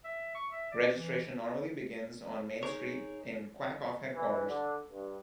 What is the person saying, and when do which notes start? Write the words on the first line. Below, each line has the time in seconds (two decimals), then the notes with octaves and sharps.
Registration normally begins on main street in Quack-Off Headquarters.
0.04 E5
0.35 C#6
0.52 E5
0.72 D5
0.94 E3
2.63 D#4 G#4 A#4 C#5
4.11 E3
4.45 D3
4.88 G2